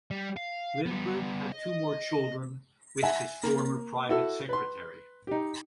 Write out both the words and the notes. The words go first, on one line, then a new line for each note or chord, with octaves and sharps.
Lindbergh had two more children with his former private secretary.
G3
F5
G3 B3
D#5
E5 F#5 G#5
A#3
E4 F#4 A4
B4 C6
D#4 G4